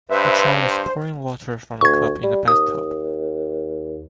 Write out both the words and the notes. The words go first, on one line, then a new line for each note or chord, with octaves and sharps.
A child is pouring water from a cup in the bathtub.
G2 B4 C5 E5
C5
D2 C#6 G#6
G3
D#2 D#6